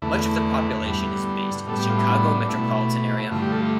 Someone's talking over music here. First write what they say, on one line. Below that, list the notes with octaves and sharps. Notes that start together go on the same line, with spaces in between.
Much of the population is based in the Chicago Metropolitan Area.
E2 D3 A3 E4
G2 D3 G3 B3
A2 G3 B3 A4
G4
F4
E4
D4
B2 A3 E4
G2 D3 A3 F4
G4
A4
F4